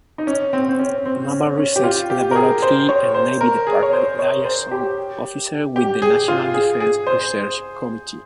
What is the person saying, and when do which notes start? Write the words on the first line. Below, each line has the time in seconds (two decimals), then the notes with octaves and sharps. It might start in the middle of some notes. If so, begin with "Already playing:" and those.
Naval Research Laboratory and Navy Department Liaison Officer with the National Defense Research Committee.
0.18 D#4
0.27 C#4
0.53 C4
0.69 C4
0.79 C#4
1.05 C4
1.31 C#4
1.58 C#4
1.76 G4
1.84 F4
2.10 G4
2.31 A#4
2.36 G#4
2.62 C5
2.89 C#5
3.14 C5
3.41 A#4
3.67 G#4
3.83 C#5
3.93 C5
4.19 C#5
4.45 C5
4.71 G4
5.76 G4
6.02 G#4
6.28 F4
6.54 G#4
6.80 G#4
7.07 C5